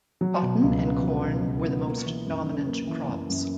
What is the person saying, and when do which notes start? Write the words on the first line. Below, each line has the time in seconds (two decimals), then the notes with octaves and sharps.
Cotton and corn were the most dominant crops.
0.21 F#3
0.42 B2
0.62 C#2
0.84 B3
1.03 F#3
1.25 B2
1.45 C#2
1.65 B3
1.86 A#3
2.06 E3
2.26 F#2
2.46 F#2
2.67 A#3
2.87 E3
3.09 F#2
3.29 F#2